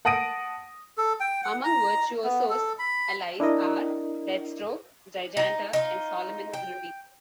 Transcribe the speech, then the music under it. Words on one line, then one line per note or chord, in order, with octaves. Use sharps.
Among Virtuoso's allies are Deathstroke, Giganta, and Solomon Grundy.
F#5 A5 D#6 A#6 D7 D#7
A4
G5
F#5
A#5
B3
A4
B5
D4 E4 A#4 D#5
D#4
D#4 F4
G5